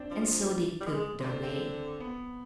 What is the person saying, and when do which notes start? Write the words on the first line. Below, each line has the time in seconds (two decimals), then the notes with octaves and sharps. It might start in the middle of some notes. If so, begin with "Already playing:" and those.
And so they took their way.
Already playing: C4 D4
0.11 F3 D4
0.81 G3
0.87 G#3
1.20 C3
1.24 D3 C4
1.43 C4
2.00 B3